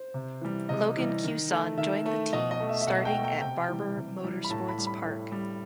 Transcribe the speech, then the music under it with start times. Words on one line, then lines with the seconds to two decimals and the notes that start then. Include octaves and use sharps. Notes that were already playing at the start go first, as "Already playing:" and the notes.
Logan Cusson joined the team starting at Barber Motorsports Park.
Already playing: C5
0.14 C3
0.41 E3 G3
0.69 C3 D#5
0.97 E3 G3
1.24 D#3
1.51 A3
1.78 D#3 E5
2.06 A3
2.33 B2 D#5
2.51 D#5
2.60 A3
2.69 E5
2.81 E5
2.87 B2 F#5
3.05 G5
3.15 A3
3.24 G5
3.41 C3 G5
3.69 E3 G3
3.96 C3
4.24 E3 G3
4.44 B5
4.50 A2 A5
4.69 B5
4.78 G3
4.87 B5
5.05 A2
5.32 G3